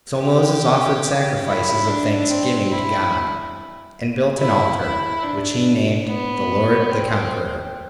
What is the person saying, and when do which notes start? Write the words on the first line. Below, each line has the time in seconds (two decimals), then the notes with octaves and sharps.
So Moses offered sacrifices of thanksgiving to God, and built an altar, which he named The Lord the Conqueror.
0.20 G4
1.46 E4
1.88 D4
2.30 C4
2.72 E4
4.39 E4
4.81 E4
5.23 D4
6.07 B3
6.91 C4